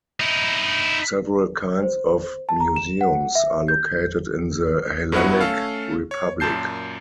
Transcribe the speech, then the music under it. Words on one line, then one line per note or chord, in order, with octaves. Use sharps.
Several kinds of museums are located in the Hellenic Republic.
D#4 E4
C5
A5
A#5
E7
F#5
E5
G6
G2 F#3 B3 E4 F#5
A3 C#4 A4 F5
C#5
F#2 A#2 A5 G6 C7